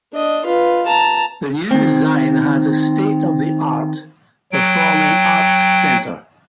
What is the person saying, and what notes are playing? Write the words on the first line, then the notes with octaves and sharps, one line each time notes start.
The new design has a state-of-the-art performing arts center.
D4 D#5
F4 B4
A5 A#5
D#3 C4
F#3 G5